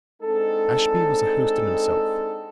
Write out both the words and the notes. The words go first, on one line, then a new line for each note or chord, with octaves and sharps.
Ashby was a host in himself.
G#3 C4 D4 D#4 A4